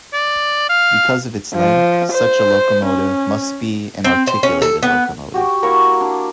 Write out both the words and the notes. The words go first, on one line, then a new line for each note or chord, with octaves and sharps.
Because of its length, such a locomotive must be an articulated locomotive.
D5
F5
F3
C5
C#4
C4
C5
C#4
A4
B3
F#4 G4
A#3 E4 A#5 C#6
D4